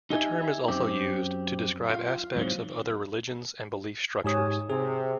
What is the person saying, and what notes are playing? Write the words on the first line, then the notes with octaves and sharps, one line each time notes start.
The term is also used to describe aspects of other religions and belief structures.
D#4 G4 D#5 E5 G#5
F#2 C4 G4
F4 F5
E2 G#2 F#3 C4
G#2 G4 C#5 G#5 D#6
C3 G#4